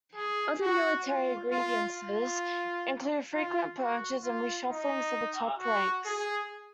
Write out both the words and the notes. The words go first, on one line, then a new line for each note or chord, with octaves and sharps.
Other military grievances included frequent purges and reshufflings of the top ranks.
G#4
F#4
F4
F4
F4
F4
F#4
F4
D#4
F#4
G#4